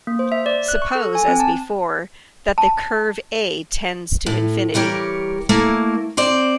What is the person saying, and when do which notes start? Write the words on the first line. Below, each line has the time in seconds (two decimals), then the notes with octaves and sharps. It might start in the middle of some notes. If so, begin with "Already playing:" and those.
Suppose, as before, that the curve "A" tends to infinity.
0.07 A#3
0.19 C5
0.32 E5
0.46 D5
0.68 F#6
0.82 C#6
0.95 A4
1.15 G#5
1.28 C4
1.40 A5
2.58 A5
4.26 A2
4.74 E3 G3 G4 A#4 C#5
5.49 A3 A#3 E4 A#4
6.17 C4 C5 D5